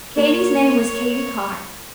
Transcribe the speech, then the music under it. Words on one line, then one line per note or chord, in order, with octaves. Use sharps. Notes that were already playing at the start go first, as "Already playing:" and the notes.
Katy's name was Katy Carr.
A#3 C#5